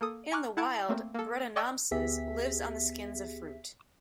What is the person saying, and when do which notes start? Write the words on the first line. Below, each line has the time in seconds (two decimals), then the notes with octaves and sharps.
In the wild, "Brettanomyces" lives on the skins of fruit.
0.01 A#3 A4 D#6
0.32 G#5 A#5 C#6 D6 F6 F#6
0.57 E4 F#5 A5 G#6 D7
0.89 A3 A#3 C4
1.14 A#3 A4
1.56 D5 D#5 G5 C#6 E6
1.91 D2 B3 G4 G#4 E5 B6